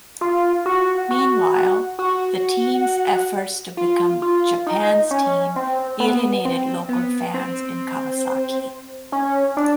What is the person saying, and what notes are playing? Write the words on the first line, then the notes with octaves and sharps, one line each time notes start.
Meanwhile, the team's efforts to become "Japan's Team" alienated local fans in Kawasaki.
F4
F#4
F#4
F#4
F4
F4
D#4
C#4
C4
B3
C4
B3
C4
C#4
D4